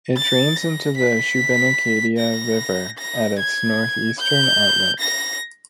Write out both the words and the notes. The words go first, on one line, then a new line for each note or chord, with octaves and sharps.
It drains into the Shubenacadie River at its northeastern outlet.
A6
A#6
B6
A#6
A#6
G#6
G6
A#6